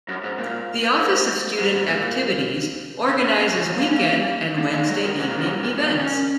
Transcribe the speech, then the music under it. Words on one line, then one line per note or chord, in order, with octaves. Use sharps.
The Office of Student Activities organizes weekend and Wednesday evening events.
F#2
G#2
A#2
G#2
G#2
G#2
A#2
C#3
A#2
G#2
C#3
F#3
A#3
C#4
A#3
A#3
G#3
F#3
D#3
G#2
A#2
F#2
G#2
A#2
A#2
D#3
C#4